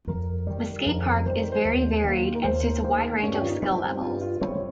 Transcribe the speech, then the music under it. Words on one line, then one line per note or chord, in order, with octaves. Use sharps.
The skatepark is vary varied and suits a wide range of skill levels.
F2 A#4
D#3 G3
G#4
F2 A#4
D#3 G3 C5
A#4
C5
D#2
D#3 A#3
A#4
D#2 C5
A#4
D#3 A#3 C5
G#4
A#4
G2 C#4
G4
F4
D#4
G3 C4
G4
G2 F4
F4
G3 C4 C#5